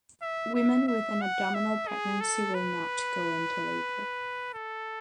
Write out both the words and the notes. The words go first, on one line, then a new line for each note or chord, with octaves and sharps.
Women with an abdominal pregnancy will not go into labor.
E5
E5
E5
F#5
E5
G#4
A4
B4
A4